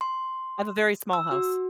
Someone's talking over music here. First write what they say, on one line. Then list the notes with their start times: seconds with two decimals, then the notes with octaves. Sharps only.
I have a very small house.
0.01 C6
1.13 E6
1.31 F#4